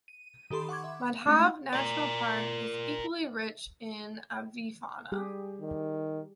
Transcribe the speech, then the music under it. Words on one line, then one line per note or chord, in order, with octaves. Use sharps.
Madhav National Park is equally rich in avifauna.
D#7
D#3 G4 A4 B5 C6
F#5 C#6 D6 G#6
E5
G#3 A3 C#4 D#4
A#4 D5
G3 G4 G#4
D#3